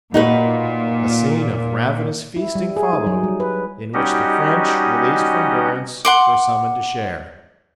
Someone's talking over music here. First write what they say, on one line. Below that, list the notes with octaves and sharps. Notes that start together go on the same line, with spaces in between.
A scene of ravenous feasting followed, in which the French, released from durance, were summoned to share.
A#2 D#4 F#4 B4
E4
G3
G#4
D#4
F#3
G3
B4
G3 C#4 D#4 F#4 G4 D#5
F#5 C6 D6